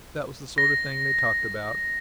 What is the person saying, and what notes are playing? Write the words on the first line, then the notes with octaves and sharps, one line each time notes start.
That was the sort of thing they talked about.
A#6